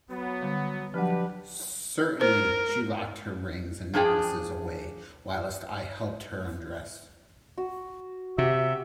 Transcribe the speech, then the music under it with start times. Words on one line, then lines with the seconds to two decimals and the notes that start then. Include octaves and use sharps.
Certainly she locked her rings and necklaces away whilst I helped her undress.
0.10 F#3 B3
0.42 D3 G3
0.94 F3 F#3 D4 G4 B4 F#5
2.21 A#4 C5
3.94 F3 D4 G#4 G5
7.58 F#4
8.38 C3 F#4 G4 E5